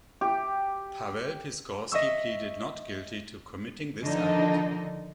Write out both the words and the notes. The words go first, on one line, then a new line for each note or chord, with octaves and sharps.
Pawel Piskorski pleaded not guilty to committing this act.
G4
D#5 E5 C#6 E6
D3 D#3 F3 D4 D#4 D#5